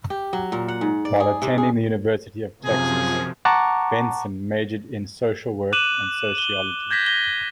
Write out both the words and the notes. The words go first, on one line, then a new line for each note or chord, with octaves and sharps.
While attending the University of Texas, Benson majored in social work and sociology.
G4
F#3
A#2
F#5
G#2
D5
G#4
C3
G#4
F#2 C3 F3 G#4
F#5 A5 A#5 C#6 D6
D6 F#6 D#7 E7 F#7
G7
G6 G#6 A#6 B6
G#6 A#6 G7